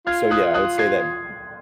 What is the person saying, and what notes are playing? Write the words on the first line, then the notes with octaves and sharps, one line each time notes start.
so, yeah, I would say that, eh,
F4 F6 G#6
D#6 F#6
D#6 F#6
G#6 C7